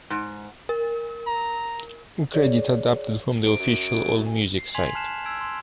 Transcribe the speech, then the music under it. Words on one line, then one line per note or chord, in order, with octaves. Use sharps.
Credits adapted from the official AllMusic site.
G#2
A#4
A#5
G#4 C#5 D5
C3 D7
F#2
G#5
C7
G#5 C6 G#6 B6 F7 F#7
A5 F6 F#6 C7 E7
E6 G#6 D7
C6